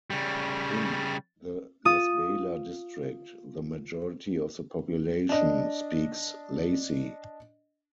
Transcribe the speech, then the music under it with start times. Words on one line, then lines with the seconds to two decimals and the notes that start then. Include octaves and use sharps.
In the Lasbela District, the majority of the population speaks Lasi.
0.10 C#3 G3
1.85 F4 D#6
5.29 D4 D#5